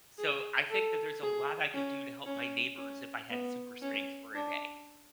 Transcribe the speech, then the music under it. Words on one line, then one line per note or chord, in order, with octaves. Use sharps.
so I think that there's a lot I could do to help my neighbors if I had super strength for a day.
G#4
A4
G#4
C#4
C#4
C#4
B3
C#4
D4